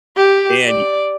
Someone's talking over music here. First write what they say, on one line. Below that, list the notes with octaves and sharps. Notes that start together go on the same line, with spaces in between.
And y
G4
D5